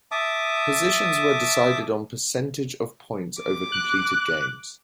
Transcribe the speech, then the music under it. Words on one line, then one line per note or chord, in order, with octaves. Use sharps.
Positions were decided on percentage of points over completed games.
E5 A5 D6 D#6
D6
F#6